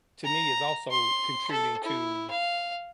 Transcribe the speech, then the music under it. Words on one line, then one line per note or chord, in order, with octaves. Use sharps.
to me is also contributing to,
A#5
C6
A4
E4
F5